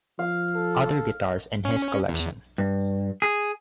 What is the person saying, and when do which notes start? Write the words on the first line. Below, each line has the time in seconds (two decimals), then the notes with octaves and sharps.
Other guitars in his collection.
0.19 F3 F5
0.55 A4
1.65 C#4
2.08 E2
2.58 G2
3.22 G#4